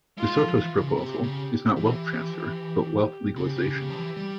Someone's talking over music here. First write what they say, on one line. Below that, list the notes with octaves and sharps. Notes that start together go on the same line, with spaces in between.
De Soto's proposal is not wealth transfer, but wealth legalization.
G#3 F4
F3
E3
C#3
C3 G4
C#3
G4
E3
C#3 G4
C#3
C#3
F3
E3
G3